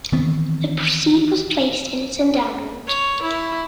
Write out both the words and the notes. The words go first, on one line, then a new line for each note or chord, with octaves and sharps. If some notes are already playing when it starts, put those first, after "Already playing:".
The proceed was placed in its endowment.
D#3 E3 B3 C4
C#5
E4